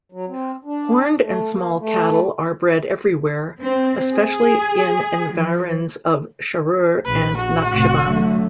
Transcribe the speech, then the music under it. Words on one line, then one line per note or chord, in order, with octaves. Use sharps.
Horned and small cattle are bred everywhere, especially in environs of Sharur and Nakhchivan.
F#3
C4
D4
A3
A#3
A3
C4
G#4
F3
A#1 B4
F#4
F1 A2
D3 F#3 A3